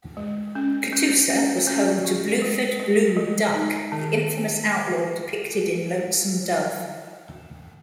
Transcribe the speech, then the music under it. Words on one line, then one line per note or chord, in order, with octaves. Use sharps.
Catoosa was home to Bluford "Blue" Duck, the infamous outlaw depicted in "Lonesome Dove".
G#3
C#4
C#4
C#4
C#4
F#4
G#3
G#3
G#3
D#4
D#3